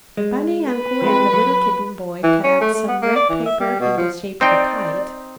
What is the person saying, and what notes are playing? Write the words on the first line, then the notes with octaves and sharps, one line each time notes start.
The bunny uncle and the little kitten boy cut out some red paper in the shape of a kite.
G#3
B4
F3 G#3 C4 B5
F#3
E3
C#4
A3
A3
B3
A#3
D5
E3
E5
G3
B2
F3
C4 D#4 D5 G5